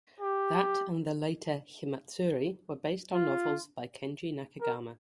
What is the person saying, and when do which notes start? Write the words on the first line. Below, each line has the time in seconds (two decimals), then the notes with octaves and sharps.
That and the later "Himatsuri" were based on novels by Kenji Nakagami.
0.20 G4
3.13 F4
4.61 A#4